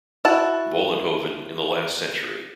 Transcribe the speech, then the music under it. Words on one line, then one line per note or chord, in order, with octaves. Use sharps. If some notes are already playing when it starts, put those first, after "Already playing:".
Vollenhoven in the last century.
E4 F#4 A5